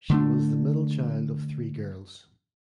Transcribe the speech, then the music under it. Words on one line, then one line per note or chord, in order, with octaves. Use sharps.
She was the middle child of three girls.
D3 A3 D4